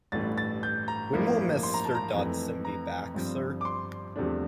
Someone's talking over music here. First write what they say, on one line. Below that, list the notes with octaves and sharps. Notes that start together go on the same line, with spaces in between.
When will Mr. Dodson be back, sir?
A1 G2 E3 A3 A6
A6
G6
A#5
A1 G2 F3 A#3 E4
C6
A#5
A5
A#5
F2 E3 A3
A#5
G1 G2 F3 C4
D6
C6
E2 C3 F3 A3 D4